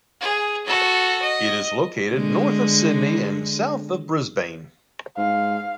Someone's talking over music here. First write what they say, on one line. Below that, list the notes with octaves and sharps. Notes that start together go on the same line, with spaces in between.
It is located north of Sydney and south of Brisbane.
G#4
F#4 A4
D#5
D3 G#3
G#2 F5